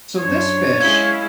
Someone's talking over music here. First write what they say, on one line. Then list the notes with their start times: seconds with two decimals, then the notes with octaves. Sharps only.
so this fish
0.18 F#2 D4 C5 C#5
0.81 G#3 C#4 E4 F5 G#6